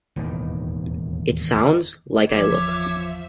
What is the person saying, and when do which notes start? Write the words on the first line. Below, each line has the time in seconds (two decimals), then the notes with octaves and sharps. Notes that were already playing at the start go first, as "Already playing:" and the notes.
It sounds like I look.
0.16 E1 D#2 A2 D#3
2.30 G1 E2 F3 C#5 E5 D6